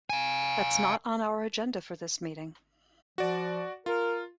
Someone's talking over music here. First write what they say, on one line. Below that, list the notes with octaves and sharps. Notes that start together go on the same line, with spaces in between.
That's not on our agenda for this meeting.
F5 G#5
F3 F#4 D5
F4 A#4